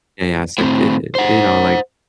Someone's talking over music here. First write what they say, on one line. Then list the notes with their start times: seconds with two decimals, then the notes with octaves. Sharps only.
yeah, yeah, it's like, e e eh, you know, like
0.58 A2 C4
1.15 C5 F#5